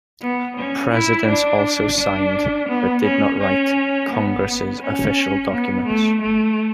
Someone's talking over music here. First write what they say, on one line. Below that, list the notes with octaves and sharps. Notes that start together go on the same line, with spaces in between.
Presidents also signed, but did not write, Congress's official documents.
B3
C#4
E4
D4
D4
B3
C#4
C#4
B3
C#4
B3
A3
A3